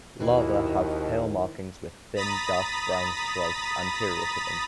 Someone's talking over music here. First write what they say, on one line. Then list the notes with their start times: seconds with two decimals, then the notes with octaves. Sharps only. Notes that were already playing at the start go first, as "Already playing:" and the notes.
Larvae have pale markings with thin dark brown stripes anterior to them.
0.20 D#2 B2 D#3 E3 C4 E4
2.16 A#5 B5 D#6 A6 B6